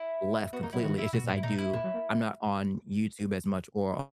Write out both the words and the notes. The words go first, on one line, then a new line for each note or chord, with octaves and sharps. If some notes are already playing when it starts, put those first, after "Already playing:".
left completely, it's just I do I'm not on YouTube as much or o
Already playing: E4
B3 F#4
A#3 D#4
F#3 E4
D#3 F#4
E4 E5
B2 F#4
A#2
E4
G#2
A#2 D#4
E4
A#2 E4
F#3
A#3